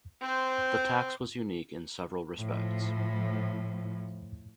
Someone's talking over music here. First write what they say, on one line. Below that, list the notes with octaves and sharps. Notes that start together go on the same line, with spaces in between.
The tax was unique in several respects.
C4 C5
A2 F3